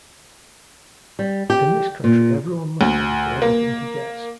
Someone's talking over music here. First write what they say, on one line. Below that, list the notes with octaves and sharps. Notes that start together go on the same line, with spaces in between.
In this country everyone must pay for everything he gets.
G3
G4
A#2
D2
A#3